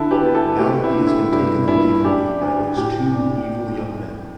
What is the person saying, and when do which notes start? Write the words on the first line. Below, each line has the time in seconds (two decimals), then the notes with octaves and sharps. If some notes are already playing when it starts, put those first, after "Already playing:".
Now he has been taken away from me by those two evil young men.
Already playing: D3 E4 A4
0.11 G4 B4
0.23 B3
0.35 E4 A4
0.59 A3 G4
0.84 E4
0.96 D3
1.07 E4
1.32 G2 E4
1.68 G2 E4
2.04 D4 G4
2.41 D2
2.77 A2 G4
3.14 D4